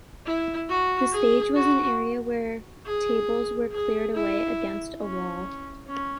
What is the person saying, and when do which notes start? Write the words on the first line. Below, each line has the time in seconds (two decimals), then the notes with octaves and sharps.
The stage was an area where tables were cleared away against a wall.
0.26 E4
0.69 F#4
1.12 G#4
1.55 F#4
2.85 G#4
3.71 G#4
4.14 E4
5.02 C#4
5.87 C#4